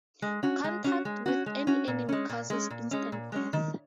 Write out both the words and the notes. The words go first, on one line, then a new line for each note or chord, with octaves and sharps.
Contact with any enemy causes instant death.
G#3
C#4 F#4
G#3
C#4 F#4
G#3
C#4 F#4
G#3
C#4 F#4
A#2
G#3 C#4
A#2
G#3 C#4
A#2
G#3 C#4
A#2
G#3 C#4
D#3